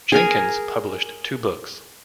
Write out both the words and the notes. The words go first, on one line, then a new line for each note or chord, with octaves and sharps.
Jenkings published two books.
G#4 A#4 G#5